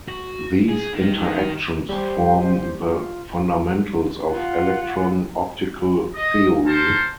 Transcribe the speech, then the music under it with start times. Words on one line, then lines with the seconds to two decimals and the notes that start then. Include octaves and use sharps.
These interactions form the fundamentals of electron optical theory.
0.08 F#4
0.69 G#4
0.94 D#3
1.89 G3 C5
2.81 F4
4.32 F4 F#5
6.14 D#5
6.66 A4 A#4 C5 A5